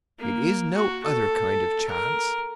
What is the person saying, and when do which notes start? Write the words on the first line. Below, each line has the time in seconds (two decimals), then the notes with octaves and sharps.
It is no other kind of chance.
0.19 A#3
0.75 F#4
1.04 A4
1.88 A#4